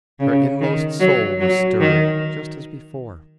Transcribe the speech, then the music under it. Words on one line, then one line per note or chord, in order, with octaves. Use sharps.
Her inmost soul was stirred, just as before.
C#3
D#3
F#3
F#3
D#3